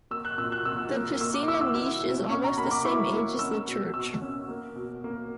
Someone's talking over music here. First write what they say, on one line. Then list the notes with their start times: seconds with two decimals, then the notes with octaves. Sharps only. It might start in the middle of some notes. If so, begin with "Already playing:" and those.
The piscina niche is almost the same age as the church.
0.11 A#3 E6
0.25 F#6
0.38 A#2 E6
0.52 F#6
0.65 A#2 E6
0.93 A#3
1.21 A#3 E6
1.34 D6
1.48 E4 E6
1.61 E6
1.75 E4
2.03 B2
2.29 C#4 C#6
2.44 A#5
2.58 A#3 B5
2.71 D6
2.85 E4 C#6
3.12 A#3
3.39 C#4 E6
3.67 B2
3.94 B2 E6
4.21 C#4
4.48 A#3
4.76 B2
5.04 A#3